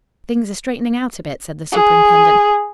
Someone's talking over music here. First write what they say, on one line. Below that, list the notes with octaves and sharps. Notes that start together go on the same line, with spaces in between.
"Things are straightening out a bit," said the superintendent.
G#4